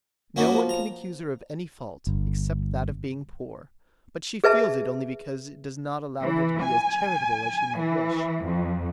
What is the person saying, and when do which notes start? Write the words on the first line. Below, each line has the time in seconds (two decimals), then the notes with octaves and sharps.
No one can accuse her of any fault, except that of being poor, but she feels it only because it does not allow her to be as charitable as she might wish.
0.36 F#2 A#3 B3 F#4
0.54 F3
0.69 A#5
2.07 G1
4.44 G#4 B4 E5 A5
6.22 E3
6.63 G#5
7.79 E3
8.45 F2